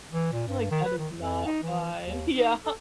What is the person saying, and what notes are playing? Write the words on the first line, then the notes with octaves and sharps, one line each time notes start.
Like, "That is not fine." Yeah.
E3
A#2
G2
D#3
B4
D#3
F2
D#4
E3
D#2
D#4
A4